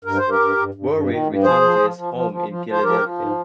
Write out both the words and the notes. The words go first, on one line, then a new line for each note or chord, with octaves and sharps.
Borie returned to his home in Philadelphia.
G2 A#4
C5
G2
G4 A#4
G2
G2
G2
G2
D#3
G2
F3 G#4 C5
F3
F3
F3
F3
F3
F3
F3
C5
F3 G4 A#4
F3
G#2